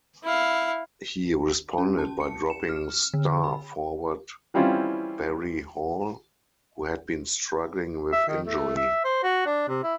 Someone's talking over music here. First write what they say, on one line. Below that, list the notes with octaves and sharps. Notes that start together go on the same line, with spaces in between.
He responded by dropping star forward Barry Hall, who had been struggling with injury.
E4 F5
C#4
A5
C#7
E7
F6
D3
B5
E3 G3 C4 C#4 E4 F4
E5
D#3
A3
E5
C5
F#4
D4
C3
E4